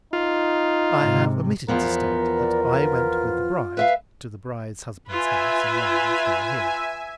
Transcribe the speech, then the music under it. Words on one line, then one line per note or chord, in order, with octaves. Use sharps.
I have omitted to state that I went with the bride to the bride's husband's house and lands down here.
D#4 F4
G#2 C3
E2 F3 B3 A#4 C5
D5
F4
B4 E5 F5
F4 B4 E5 G#5